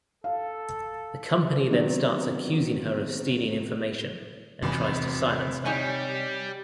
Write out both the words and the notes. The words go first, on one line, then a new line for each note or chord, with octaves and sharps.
The company then starts accusing her of stealing information and tries to silence her.
A4 F5
C3 D#3 F#3 B3 C4 D4
G#1 E2 C3 B5
G3 D#4 C#5 G#5 G6